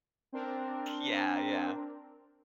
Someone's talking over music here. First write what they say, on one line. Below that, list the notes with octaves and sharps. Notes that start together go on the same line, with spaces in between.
Yeah, yeah.
C4 D4 A#4